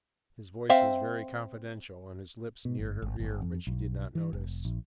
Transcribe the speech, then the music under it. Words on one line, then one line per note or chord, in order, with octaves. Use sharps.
His voice was very confidential and his lips near her ear, but she did not notice.
C4 E5 F5
B2
G1
G#1
G1
F2
B1
E3
F1
A#1